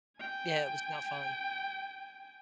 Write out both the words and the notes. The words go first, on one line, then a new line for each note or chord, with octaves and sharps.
Yeah, it was not fun.
G5 G#5